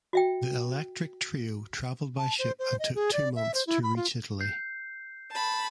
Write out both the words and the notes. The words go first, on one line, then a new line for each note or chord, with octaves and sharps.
The electric trio traveled by ship and took two months to reach Italy.
F#4 E5 G5
A5
C5
C5
D#5
G#4
D5
E5
C5
E4
B5
F4
G6 C7
A5 B5